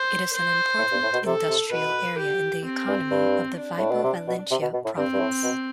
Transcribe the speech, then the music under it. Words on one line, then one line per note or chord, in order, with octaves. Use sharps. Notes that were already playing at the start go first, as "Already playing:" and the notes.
It is an important industrial area in the economy of the Vibo Valentia province.
Already playing: C5
C5
A2
G2
A2
B2
C3 A4
C3
B2 B4
G4
C4
G2
G2
D4
A2
B2
C3
B2
C3
B2
B2
A2
G2 C4
G2
A2
B2